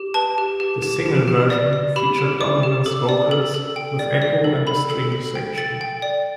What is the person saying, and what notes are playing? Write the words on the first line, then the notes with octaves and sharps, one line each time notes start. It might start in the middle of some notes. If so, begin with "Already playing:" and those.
The single version featured Donovan's vocals with echo and a string section.
Already playing: G4
B4 A5
G4
G4
G4
G4
G4
D5
D5
G4 B5
G4
D5 D6
G4
A4 D6
D5
A4
A4
G5
D5
D5
A4
A4 B5
A4
A4
G5
A4 A6
G5
D5